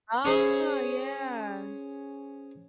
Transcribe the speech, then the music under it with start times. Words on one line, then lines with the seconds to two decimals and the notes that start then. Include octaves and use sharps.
Oh, yeah.
0.25 C#4 G#4 C5